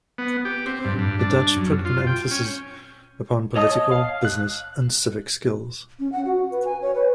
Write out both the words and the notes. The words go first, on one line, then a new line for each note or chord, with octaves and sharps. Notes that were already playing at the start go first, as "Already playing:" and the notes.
The Dutch put an emphasis upon political, business, and civic skills.
B3
G4
C4
G2
G2
D4
F#2
F4
G5
C#4
C#5 D#5 A5 D#6
F5
F#6
C#4
F#5
F#4
B4
G#5
C#5
B4